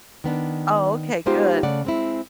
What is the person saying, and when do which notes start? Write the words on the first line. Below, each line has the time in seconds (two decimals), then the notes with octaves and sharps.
Oh, okay, good.
0.24 D#3 B3 D4
1.26 G#3 B3 D#4 F4 G4 C5
1.63 C#3 A3 D5 F#5
1.85 G#3 C4 E4